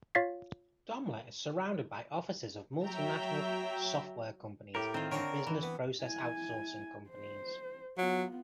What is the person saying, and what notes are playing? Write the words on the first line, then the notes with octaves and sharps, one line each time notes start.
Domlur is surrounded by offices of multinational software companies and business process outsourcing companies.
F4 C#5 F5 A6 B6 C7
F#3 E5 G5 A#5
A2 G4 A#4
D#3 C4 F4
D3 C4 A#4 C#5 G5 A#5
E3
B3
E4 G#5
C5
F#3 B3 F4